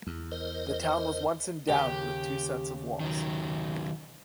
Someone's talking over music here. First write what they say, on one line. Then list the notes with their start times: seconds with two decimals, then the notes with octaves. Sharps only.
The town was once endowed with two sets of walls.
0.07 E2
0.32 A#4 C5 D#5
1.69 D#2 C#3 G4
3.00 D#3 F#3